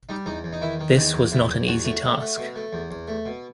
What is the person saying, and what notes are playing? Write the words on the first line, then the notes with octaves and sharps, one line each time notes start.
This was not an easy task.
G3 D#4
E2 D#4
E2
D#4
D#3 E4
D#3
E2 D#4
E2
E2 E4
E2
E2 F#4
A3
A3
A3
B2
A3
E2
E2
A3
B2